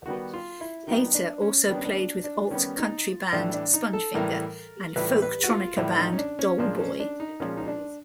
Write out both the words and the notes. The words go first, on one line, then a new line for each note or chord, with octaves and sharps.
Hayter also played with alt-country band Spongefinger and folktronica band Dollboy.
D#3 G3 B3 F#4
F4
E4
D#3 G3 B3 D#4
D4
C#4
D#3 G3 B3 D4
C#4
D4
D4
D4
D#3 G3 B3 C#4
D#4
A2 E3 G3 D4
D4
D#4
A4
A2 E3 G3 A#4
A2 E3 G3 B4
B4
F#4
F4
A2 E3 G3 E4
D#4
C#4
D4
C#4
A#2 F3 G#3 D4
C#4
D4
D#4
A#2 F3 G#3 C#4
D#4
D4